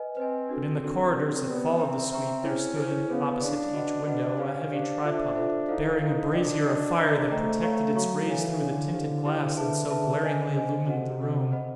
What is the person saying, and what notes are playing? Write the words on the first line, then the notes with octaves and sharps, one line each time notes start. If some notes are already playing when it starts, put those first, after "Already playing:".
But in the corridors that followed the suite, there stood, opposite to each window, a heavy tripod, bearing a brazier of fire that projected its rays through the tinted glass and so glaringly illumined the room.
Already playing: B4 D#5 G#5
C4 B4 D#5 G#5
D4 F#4 A4
D4 F#4 A4
G4 A#4 D5
B3 G4 A#4 D5
C4 C5 E5 G5 A#5 C#6
C5 E5 G5 A#5 C#6
C#4 E4 G#4 C5
E4 G#4 C5
B3 G#4 C#5 F5
D4 G#4 C#5 F5
F#4 B4 D#5 F#5 B5
D4 F#4 B4 D#5 F#5 B5
C#4 G4 C5 F5
D4 G4 C5 F5
F4 A4 C5 E5
F4 A4 C5 E5
D#4 E4 A4 C5 F5
D#4 E4 A4 C5 F5
D4 F#4 A#4 D#5 G5
F#4 A#4 D#5 G5
D4 C5 D#5 G5 A#5
A3 C5 D#5 G5 A#5
A4 C#5 F5 A#5 C#6
F#3 A4 C#5 F5 A#5 C#6
E3 A4 C#5 F5 G#5
D3 A4 C#5 F5 G#5
D3 E4 G4 C5 F5
E4 G4 C5 F5
D3 G#4 B4 E5 A5
G#4 B4 E5 A5
C5 D#5 G#5
C#3 C5 D#5 G#5
C3 F#4 A4 C5 D#5 F#5
F#4 A4 C5 D#5 F#5
C5 D#5 F#5 B5